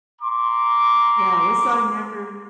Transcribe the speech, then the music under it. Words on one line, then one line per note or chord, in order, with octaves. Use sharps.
Yeah, what song never
A#5 C6 D6